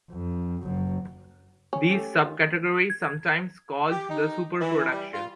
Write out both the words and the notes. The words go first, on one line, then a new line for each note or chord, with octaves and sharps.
This subcategory sometimes called the "Super Production".
F2
F#1 F#2
C#4
A3 G4
D#3 F4
G#6
G4
D#4
E3
G3
F4